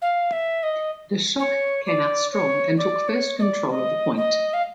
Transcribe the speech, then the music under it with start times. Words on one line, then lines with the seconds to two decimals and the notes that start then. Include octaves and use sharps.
The Shock came out strong and took first control of the point.
0.02 F5
0.32 E5
0.63 D#5
1.39 C#5
1.86 D5
2.32 C#5
2.77 D5
3.08 C#5
3.39 D#5
3.42 D5
3.70 D#5
4.16 D#5
4.54 F5